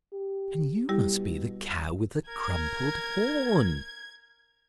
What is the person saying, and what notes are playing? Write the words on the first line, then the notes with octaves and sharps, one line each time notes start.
"Then you must be the Cow with a crumpled horn!"
G4
B2 G3 E4 G4
A#4 G#6